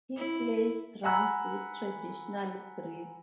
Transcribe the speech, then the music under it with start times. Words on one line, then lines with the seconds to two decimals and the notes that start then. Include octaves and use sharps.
He plays drums with traditional grip.
0.16 E4
1.03 F#5 G#5 A#5 B5 E6 F#6